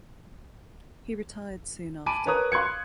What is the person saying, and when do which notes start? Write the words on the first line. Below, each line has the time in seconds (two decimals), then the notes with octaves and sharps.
He retired soon after.
2.06 G#5 A5 B5 D6 D7 D#7
2.26 A#4 B4 C#5 A#5 D#6 F#6
2.52 F5 C6 F#6 G#6 C#7